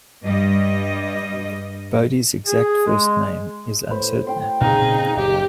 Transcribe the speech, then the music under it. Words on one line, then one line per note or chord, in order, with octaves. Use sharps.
Bodey's exact first name is uncertain.
G2 G3 D#5
G#4
G#3
A2 B4 C5
G5 C6
A#2 C#3 C4 D#4 G#4 F5
F#1 G4